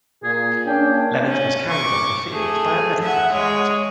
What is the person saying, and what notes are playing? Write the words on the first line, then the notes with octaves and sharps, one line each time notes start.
Leonhard was carried off the field by a medical cart.
A#2 G#4
A#3 C#4 D4 G5
C#4
C#6 D6
A3 G#4
E5 F#5
G#3 C#5